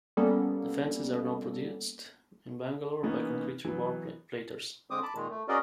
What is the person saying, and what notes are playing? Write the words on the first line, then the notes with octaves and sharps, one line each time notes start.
The fences are now produced in Bangalore by concrete rebar plaiters.
G3 A#3 B3 C#4 A4
E3 A#3 B3 C#4 D#4
E3 F#3 B3
D3 G#3 C4 D6 D#6
A5 B5 D6
A#2 D#3 G#3
A3
C#4 F#4 G#4 A#4 D5 D#5